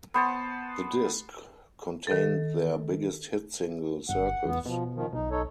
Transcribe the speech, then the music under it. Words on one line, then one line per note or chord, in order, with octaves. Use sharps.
The disc contained their biggest hit single, "Circles".
B3 C5 A5
D#3 A4
G1 F#5
E2 B3
B2 F3
D#3 F3
B1 D#4
D#4 A4 C#5